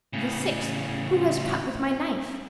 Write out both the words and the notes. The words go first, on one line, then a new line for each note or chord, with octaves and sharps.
The sixth, "Who has cut with my knife?"
A2 C#3